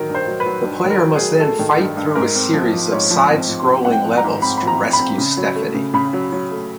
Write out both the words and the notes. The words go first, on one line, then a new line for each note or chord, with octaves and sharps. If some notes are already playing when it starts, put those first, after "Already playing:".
The player must then fight through a series of side-scrolling levels to rescue Stephanie.
Already playing: D#3 F#3 A#4
G2
C5
F#3
B4
F#3
G2
D#3
A#4
F#3
G#4
F#3
A3 A4
D#3
G2
G2
G#2 A#4
C4
F3
F3
G#2 C#5
F3
C4
F3
C4
G#2 F#5
G5
F3
A#5
G#2
C4 B5
F3 B5
A#5
C4
B5
C4
C#3
F#3
A3
C#3
C#3 B5
F#3
F#3
A3